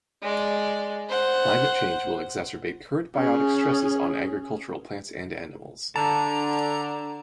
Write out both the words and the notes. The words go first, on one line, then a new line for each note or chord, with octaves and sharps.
Climate change will exacerbate current biotic stresses on agricultural plants and animals.
G#3 D5
C5 F#5
C#4 G#4
D3 A5 A#5